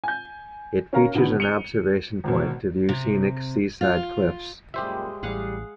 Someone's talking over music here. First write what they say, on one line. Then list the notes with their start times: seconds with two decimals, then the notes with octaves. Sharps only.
It features an observation point to view scenic seaside cliffs.
0.04 G#5 G6
0.93 C#4 A#4 F5 A#5
1.14 B2 D3 D#3 B3
1.40 C#7 D#7 F7 G7
2.24 G#1 B2
2.89 C3
3.81 F4
4.74 F#2 A#2 G3 G#3 G4 C5 E5
5.23 A1 A2 G3 G#4 F5 F#5